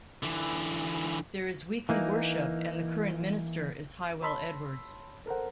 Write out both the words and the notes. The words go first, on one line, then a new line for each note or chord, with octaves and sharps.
There is weekly worship and the current minister is Hywel Edwards.
D3 E3
E3 A#3 D#4
C#5 A5 B5 C6 E6 B6
A4 A#4 C5 F#5